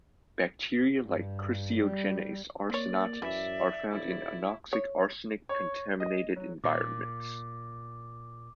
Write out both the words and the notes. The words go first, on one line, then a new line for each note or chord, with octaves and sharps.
Bacteria like "Chrysiogenes arsenatis" are found in anoxic arsenic-contaminated environments.
G2
G3
A#3 C4 C#5 D5
F#2 E3 E5
D#1 E4 D5
C#5
C#5
D#5
F#3
A#2 D6